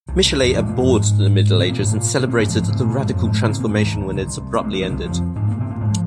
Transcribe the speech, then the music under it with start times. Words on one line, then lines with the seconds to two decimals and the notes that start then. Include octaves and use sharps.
Michelet abhorred the Middle Ages, and celebrated the radical transformation when it abruptly ended.
0.08 C2 C3
0.23 C2 C3
0.32 D#3
0.38 F2 F3
0.49 F2 F3
0.58 G#2 G#3
0.68 A#2 A#3
0.79 F2 F3
0.88 G#2 G#3
1.59 C3 C4
1.69 A#2 A#3
1.79 G#2 G#3
1.89 A#2 A#3
2.19 C3 C4
2.29 A#2 A#3
2.39 G#2 G#3
2.50 F2 F3
2.59 G#2 G#3
2.69 C3 C4
2.79 A#2 A#3
2.89 A#2 A#3
2.99 G#2 G#3
3.09 F2 F3
3.25 G#2 G#3
3.40 A#2 A#3
3.49 C3 C4
3.60 A#2 A#3
3.70 G#2 G#3
3.85 D#2 D#3
4.00 D#2 D#3
4.15 C2 C3
4.56 A#3
4.64 G#3
4.73 F3
4.81 D#3
4.90 C2 C3
5.05 F2 F3
5.36 G#2 G#3
5.51 A#2 A#3
5.60 C3 C4
5.70 A#2 A#3
5.81 G#2 G#3
5.91 F3